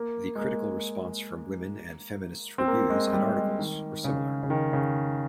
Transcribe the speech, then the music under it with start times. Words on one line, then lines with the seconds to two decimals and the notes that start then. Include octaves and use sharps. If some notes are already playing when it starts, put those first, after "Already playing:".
The critical response from women and feminist's reviews and articles were similar.
Already playing: A#3
0.35 G#3
0.39 A#3
2.58 C4
2.68 A#3
2.90 G#3
3.07 G#3
3.13 G3
3.36 G#3
3.59 D#3
4.04 C#3
4.43 C#3
4.50 D#3
4.73 C#3